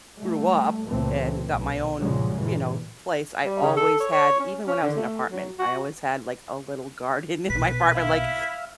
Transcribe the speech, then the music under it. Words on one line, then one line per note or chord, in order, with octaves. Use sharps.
grew up and got my own, you know, place, I always had even when I was in apartment, I always had, like, a little garden in my apartment. Like,
G3 A3
C#2 A#2 E3 A3 C4
B1
G2 A#2 C#3 F3 F#3 G#3
G2 A#2 E3
G3
C#3
A4
C#5
C#5
C#4
C#4
D3
A3
F#3
F#4
B1 A#2 B4 B6
E4 E5 F5